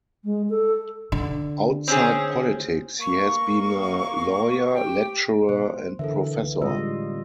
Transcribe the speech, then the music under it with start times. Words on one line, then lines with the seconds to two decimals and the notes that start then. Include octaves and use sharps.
Outside politics he has been a lawyer, lecturer and professor.
0.24 G#3
0.49 A4
1.12 D3
1.88 C4 C#4 G#4
3.01 A#3 C#6
4.74 G4 G5
5.49 B2 C5
5.99 D3 E3 A4 A#4 E5
6.40 C#2
6.62 A2 G3 G#3 C4 F4 D#5 E6